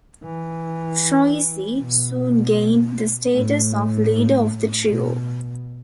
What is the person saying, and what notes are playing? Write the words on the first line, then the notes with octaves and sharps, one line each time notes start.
Troisi soon gained the status of leader of the trio.
E3
B2
A2
B2